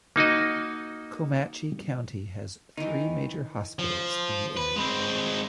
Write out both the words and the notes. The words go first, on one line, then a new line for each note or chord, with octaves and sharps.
Comanche County has three major hospitals in the area.
A#3 D#4 F#4 D#5
D#3 E3 D#4
F3
B4
G#3 C4